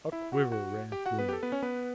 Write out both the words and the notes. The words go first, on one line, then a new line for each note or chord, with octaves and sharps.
A quiver ran through me.
E4 E5
F#4 F#5
F#4 F#5
G4 G5
F#4 F#5
B3 B4
G4
A4
B3 B4
C#4 C#5
B3 B4